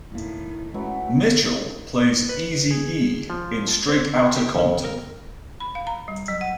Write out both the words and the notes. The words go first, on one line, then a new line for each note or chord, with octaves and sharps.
Mitchell plays Eazy-E in Straight Outta Compton.
E1 A2 D#3 A#3 E4
E3 F#3 G#3 A3 C#4 E4
B4
G#4
F3
C4
C3
G4
F2
A#4
B5
F5
A#5
G3
F#3
F#5